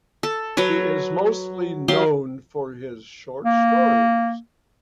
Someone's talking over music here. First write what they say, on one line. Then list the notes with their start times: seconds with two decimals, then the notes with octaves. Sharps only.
He is mostly known for his short stories.
0.23 A4
0.57 F#3 F#4 B4 C#5
1.88 F#3 G4 F5 C6
3.44 A#3